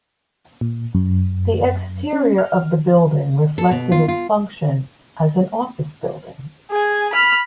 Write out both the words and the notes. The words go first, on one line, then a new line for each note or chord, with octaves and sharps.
The exterior of the building reflected its function as an office building.
A#2
F#2
C#4
F6
A4
B2
F4
F4
G#4 G#5
B5 F6